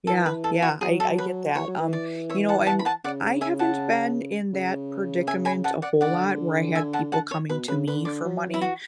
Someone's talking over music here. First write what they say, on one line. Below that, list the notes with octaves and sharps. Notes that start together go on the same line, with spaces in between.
Yeah, yeah, I I get that, um, you know, and I haven't been in that predicament a whole lot where I had people coming to me for money.
E3 A4
B4
A4
F#4
F#3 G#4
A4
B4
E3 C#5
F#3
E3
D5
C#5 E5
F#5 A5
F#5 A5
B5
F#5 A5
C#3 D5 F#5
E5 G#5
F#5 A5
C#3
E5 G#5
G#5 B5
F#5 A5
D5 F#5
D3 D5 F#5
E5 G#5
F#5 A5
F#5 A5
C#5
B2 B4
C#3 B4
D3 B4
D3 D5
F#3
E3 E4
F#4